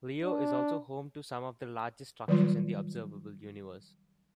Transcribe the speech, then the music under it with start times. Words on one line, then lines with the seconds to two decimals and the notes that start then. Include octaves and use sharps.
Leo is also home to some of the largest structures in the observable universe.
0.22 D4
2.28 D#3 F#3 G3 F4